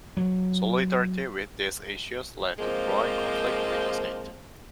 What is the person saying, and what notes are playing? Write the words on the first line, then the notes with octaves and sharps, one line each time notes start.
Solidarity with these issues led to growing conflict with the state.
F#3
F3 G#3 A#3 C4